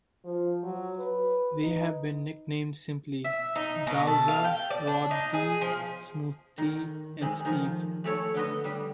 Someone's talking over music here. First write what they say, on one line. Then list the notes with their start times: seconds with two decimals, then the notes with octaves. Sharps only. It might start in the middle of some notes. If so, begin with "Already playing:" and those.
They have been nicknamed simply Balja, Rod D., Smooth T. and Steve.
0.25 F3
0.63 F#3
0.99 B4
1.63 D#4
3.24 E5
3.56 D#4
3.87 B2
4.07 A4
4.28 F5
4.44 G5
4.70 D5
4.87 D4
5.11 D#4
5.34 G#4
5.61 F3
6.58 D#3
7.21 C3 D#3 G#3
7.45 D#3 F3
8.04 A3 A4 C#5
8.34 D3 B3 D#5
8.64 G3